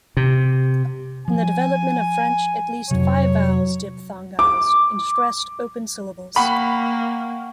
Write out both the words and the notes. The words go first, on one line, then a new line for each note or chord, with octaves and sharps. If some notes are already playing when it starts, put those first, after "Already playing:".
In the development of French, at least five vowels diphthongized in stressed, open syllables.
C3
F3 G#5
F2 C3 F#3 C#5
D6
A#3 F#5 G5 B5 C#6